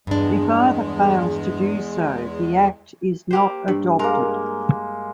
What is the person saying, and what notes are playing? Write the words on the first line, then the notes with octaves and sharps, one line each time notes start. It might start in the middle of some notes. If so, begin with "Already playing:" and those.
If either fails to do so, the act is not adopted.
E2 G2 G#3 D4
A#3 G4 C5
G2
G#3 A#3 A#4